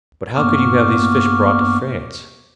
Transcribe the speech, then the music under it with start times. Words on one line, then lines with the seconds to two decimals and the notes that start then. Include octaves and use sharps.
"But how could you have these fish brought to France?"
0.34 G2 A#3 B3 C#6 D6 F6